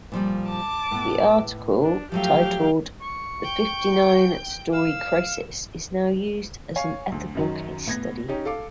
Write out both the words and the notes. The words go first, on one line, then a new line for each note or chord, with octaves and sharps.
The article, titled "The Fifty-Nine-Story Crisis," is now used as an ethical case-study.
A#2 F3 G3
A5 D6
A2 B3
D4
F3 F#3 A3 G4 F5 G5
C#6
G5 G6
F5 E6
C#5 F5 G#5
D2
F#2 D#3 F#3
A2 B3 G#6 A#6
C#4 D#4 G4
A4 F5 D6